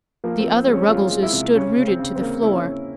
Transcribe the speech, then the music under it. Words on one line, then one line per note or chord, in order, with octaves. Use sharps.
The other Ruggleses stood rooted to the floor.
F3 A#3
C4
F3
C4
G#3
C#4
G#3 F4
G#3
E4
C3
C#3 C#4
C#3
C4
C#3
C4
C#3 A#3
C#3 E4
C#4
C#3